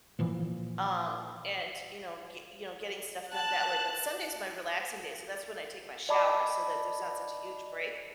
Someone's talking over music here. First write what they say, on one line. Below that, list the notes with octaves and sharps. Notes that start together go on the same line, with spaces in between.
um, and, you know, ge you know, getting stuff done that way, but Sunday's my relaxing day, so that's when I take my showers so that there's not such a huge break.
A#2 E3 F3
A5 F#6
D5 D#5 A5 B5 D6